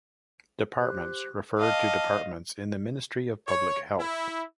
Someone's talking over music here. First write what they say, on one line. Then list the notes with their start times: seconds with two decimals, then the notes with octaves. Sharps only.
"Departments" refer to departments in the Ministry of Public Health.
0.79 G4 C5 F#6
1.59 D#5 F5 A5 D6 F6
3.47 C#5
3.99 E4